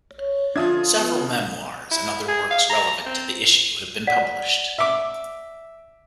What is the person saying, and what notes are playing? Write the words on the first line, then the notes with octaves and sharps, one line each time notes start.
Several memoirs and other works relevant to the issue have been published.
C#5
D3 F3 D4 F4 E5 A5 D#6 G#6
B3
E4
G#4
F5
A#5
C4
D5 F#5 B6
E5 D6